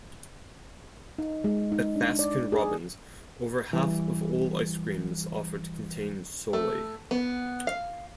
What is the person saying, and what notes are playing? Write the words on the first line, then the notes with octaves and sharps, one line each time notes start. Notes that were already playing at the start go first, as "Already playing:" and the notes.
At Baskin Robbins, over half of all ice creams offered contain soy.
D#4
G#3
D#4
D4
D5
G#4
E3 G3
A3
B3
F5